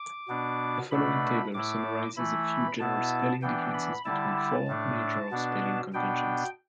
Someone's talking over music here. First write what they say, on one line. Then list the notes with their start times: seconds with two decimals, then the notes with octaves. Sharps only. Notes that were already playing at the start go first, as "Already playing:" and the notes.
The following table summarizes a few general spelling differences between four major spelling conventions.
Already playing: D6
0.28 B2 B3 D4
0.91 B2 A3 D4 B5
1.54 A2 A3 E4 D6
2.17 E3 A3 E4 B5
2.79 B2 B3 E4 A5
3.42 E3 B3 D4 G5
3.74 B5
4.05 D3 G3 E4 A5
4.37 A5
4.68 A2 A3 D4
5.31 B2 B3 D4
5.93 B2 B3 D4 G5